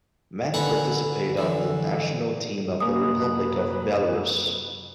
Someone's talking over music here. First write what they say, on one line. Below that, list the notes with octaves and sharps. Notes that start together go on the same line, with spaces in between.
Many participate on the national team of the Republic of Belarus.
D3 B4 F#5 G#5 A#5 B5
D3 E3
F#2 C3 F#3 G#3 A#3 B4 D#6